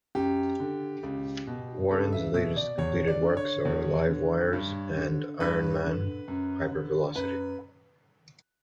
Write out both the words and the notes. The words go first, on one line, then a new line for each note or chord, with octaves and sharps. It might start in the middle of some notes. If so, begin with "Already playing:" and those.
Warren's latest completed works are "Livewires" and "Iron Man: Hypervelocity".
F#2 G4
D3
C#2
B2
C#2 A4
E5
B2 E5
D5
E2 C#5
D5
D3
C#5
E2
D3
G2
D3
G2 B4
D3
F#2
D3
F#2 B4